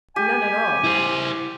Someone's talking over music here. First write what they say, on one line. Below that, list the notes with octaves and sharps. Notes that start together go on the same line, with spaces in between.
"None at all."
G4 G#5
E4 C5